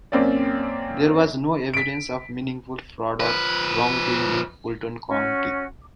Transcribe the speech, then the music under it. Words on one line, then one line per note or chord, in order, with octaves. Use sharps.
There was no evidence of meaningful fraud or wrongdoing in Fulton County.
F#2 A#3 C4 C#4 D5
B6 D7
F3 B4
C#4 F#4